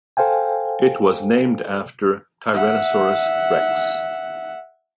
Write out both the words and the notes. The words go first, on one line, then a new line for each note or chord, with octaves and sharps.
It was named after "Tyrannosaurus rex".
A4 C5 F5 G5 G#5
E5 F#5